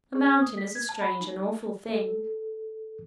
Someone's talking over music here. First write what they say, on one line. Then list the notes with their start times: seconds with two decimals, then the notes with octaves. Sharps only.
A mountain is a strange and awful thing.
0.15 G#4
0.28 G#6
0.42 D#6
0.58 B6
0.75 G#6
0.89 A5
1.01 B5
1.21 D#4
1.86 A4